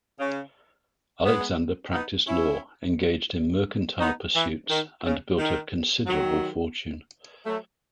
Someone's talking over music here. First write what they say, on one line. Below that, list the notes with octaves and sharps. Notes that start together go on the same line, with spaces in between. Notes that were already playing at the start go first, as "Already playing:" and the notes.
Alexander practiced law, engaged in mercantile pursuits, and built a considerable fortune.
C#3
G#3 B3
B3 D#4
C#4 E4
B3 D#4
E3
D#3
C#3
D#3
D#3 F#3
F#3 A3